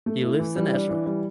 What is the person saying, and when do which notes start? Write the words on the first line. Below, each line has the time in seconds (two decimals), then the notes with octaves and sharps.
He lives in Esher.
0.06 A3
0.23 E4
0.40 E3
0.56 G3
0.73 D4
0.89 E3
1.06 G3